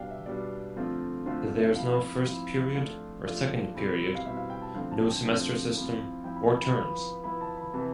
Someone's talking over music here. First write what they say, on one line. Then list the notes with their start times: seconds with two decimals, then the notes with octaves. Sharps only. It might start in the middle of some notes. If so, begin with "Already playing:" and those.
There's no first period or second period, no semester system or terms.
Already playing: B2 G3 D4 F5 G5
0.10 E5
0.26 B2 G3 D4 D5
0.76 D3 F3 A3 C4 F4
1.26 D3 F3 A3 C4 F4 C5
1.42 A4
1.60 E5
1.75 F3 C4 E4 F5
2.26 F3 C4 E4
2.75 F3 A3 D4 F4 F5
3.25 F3 A3 D4 F4
3.75 B2 G3 C4 E4
4.15 F5
4.25 B2 G3 C4 E4 E5
4.37 F5
4.50 G5
4.62 A5
4.74 D3 F3 A3 C4 F5
4.92 A5
5.08 G5
5.25 D3 F3 A3 C4 F5
5.74 F3 C4 E4
6.24 F3 C4 E4 G5
6.36 B5
6.49 B5
6.62 B5
6.74 F3 B3 E4
7.23 F3 B3 E4 B5
7.41 A5
7.58 B5
7.74 C3 E3 B3 A5